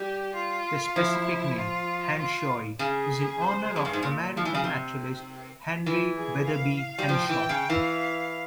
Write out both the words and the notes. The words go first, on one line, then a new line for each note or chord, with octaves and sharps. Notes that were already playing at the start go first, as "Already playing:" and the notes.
The specific name, "henshawi", is in honor of American naturalist Henry Wetherbee Henshaw.
Already playing: G3 G4
F4
F3 E4
F4
F4
C#3 G#4
C5
F2 G#4
G2
G#2
A#2
F3
E3
C#3
C3
E3
G#4
F5
G3
F3 G5
E3
C#3
E3 F5